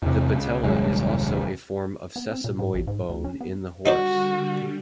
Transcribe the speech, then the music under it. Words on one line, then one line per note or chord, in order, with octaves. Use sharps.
The patella is also a form of sesamoid bone in the horse.
E2 C3
C#2
D#1 C2 F#2 G#3
B3
C4
A#2
G#2
A1
G#2
D2
C#4
B3
D3 G3 D#4 F#4 C5 D5